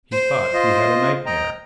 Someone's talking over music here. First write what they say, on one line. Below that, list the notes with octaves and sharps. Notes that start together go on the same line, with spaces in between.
He thought he had a nightmare.
C5
F4 D#5
D#5 G5 A#5